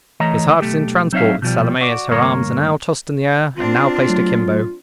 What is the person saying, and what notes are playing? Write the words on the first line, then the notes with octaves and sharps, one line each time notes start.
His heart is in transport with Salome as her arms are now tossed in the air, and now placed akimbo.
E3 A3 C#5 D#5 A#5
B1 A3 G4
F#3 C4 D#4 C#5 E5 F5
B2 F3 G3
F#4 D5
D2 G2 A#3 A#4 C#5
C4 D4 F4
F#3 A3